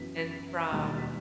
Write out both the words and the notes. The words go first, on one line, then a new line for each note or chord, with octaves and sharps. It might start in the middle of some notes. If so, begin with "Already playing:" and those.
And from
Already playing: F#2 E3 B3 B6
A6
E1 D#2 D#3 G3 D#4 F#6
A6
B6